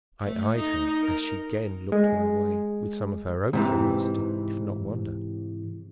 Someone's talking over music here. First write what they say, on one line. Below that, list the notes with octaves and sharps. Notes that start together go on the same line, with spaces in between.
I eyed her as she again looked my way, with some of her own curiosity if not wonder.
A3
D#4
A#4
G#3
G#2 C3 E3